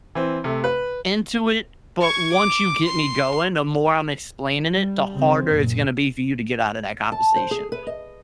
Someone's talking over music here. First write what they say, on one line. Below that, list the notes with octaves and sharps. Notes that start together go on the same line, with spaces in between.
into it, but once you get me going, the more I'm explaining it, the harder it's gonna be for you to get out of that conversation,
E3 C4
C3 A3
B4
C#6 G#6
D6
C6
G3
C#3 C4
F#1 A#2
A5
C5
G#4
B4
D#5